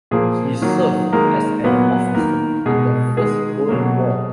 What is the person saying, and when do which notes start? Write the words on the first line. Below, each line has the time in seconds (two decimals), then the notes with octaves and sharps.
He served as an officer in the First World War.
0.11 A#2 F3 A#3 G#4
0.62 D#3 F#3 A#3
1.12 D#3 G#3 A#3 A#4
1.64 A#2 F#3 A#3 B3 B4
2.14 D#3 A#3 A#4
2.66 B2 G#3 G#4
3.17 D#3 G#3 G#4
3.68 B2 F#3 A#3